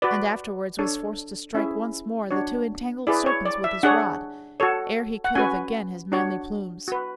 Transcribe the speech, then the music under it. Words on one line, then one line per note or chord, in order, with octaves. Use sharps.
And afterwards was forced to strike once more The two entangled serpents with his rod, Ere he could have again his manly plumes.
F#4 B4 D5
D4 A4 C#5
C#4 E4 G#4 E5
D4 F#4 C#5
E4 G#4 B4 D5
C#5
D5
E5
D4 G#4 C#5 F#5
F#4 A4 C#5
F#5
C#4 F#4 B4 G#5
D4 F#4 C#5
F#4 B4